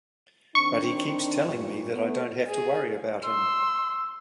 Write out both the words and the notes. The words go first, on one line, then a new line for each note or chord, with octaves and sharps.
But he keeps telling me that I don't have to worry about him.
D#3 C4 D4 C#6
G2 A#2
A3 B3
G#4
C6 E6